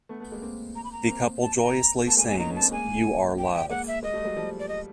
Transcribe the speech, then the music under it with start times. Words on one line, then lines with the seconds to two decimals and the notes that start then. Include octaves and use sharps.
The couple joyously sings "You Are Love".
0.09 A3 B3
0.20 A3 B3
0.32 G#3 A#3
0.42 A#3 C4
0.75 A#5
0.84 B5
0.92 A#5
1.08 A#3 C4
1.41 A5
1.58 A#5
2.06 A3 B3 A5
2.17 G#3 A#3 G#5
2.28 A3 B3 G#5
2.39 C#4 D#4 A#5
2.50 B3 C#4
2.56 A5
2.61 A#3 C4
2.72 G#3 A#3 G#5
3.38 G5
3.54 G5
3.70 G#3 A#3 F#5
3.87 E5
4.03 G#3 A#3 D#5
4.14 G3 A3
4.25 F#3 G#3
4.37 F3 G3
4.59 D5
4.69 D#5